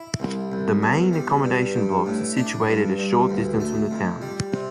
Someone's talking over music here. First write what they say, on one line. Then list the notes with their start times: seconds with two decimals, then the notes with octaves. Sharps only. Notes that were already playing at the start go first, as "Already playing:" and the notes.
The main accommodation blocks are situated a short distance from the town.
Already playing: E4
0.20 C2
0.52 C2
0.83 E2
1.13 G3
1.44 G2
1.75 G2
2.06 A2
2.36 D4
2.68 G2
2.98 G2
3.29 D2
3.60 A3
3.91 F2
4.22 G3
4.53 C3